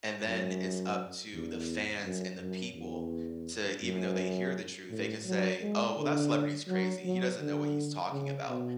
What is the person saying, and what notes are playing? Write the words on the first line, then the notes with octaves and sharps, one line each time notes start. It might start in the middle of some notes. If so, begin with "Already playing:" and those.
and then it's up to the fans and the people, to even though they hear the truth, they can say, "Oh, well, that celebrity is crazy. He doesn't know what he's talking about,"
F#2
E2
F#2
F#2
E2
F#2
A2
F#3
G#3
D3
F#3
F#3
D3
C#3
B2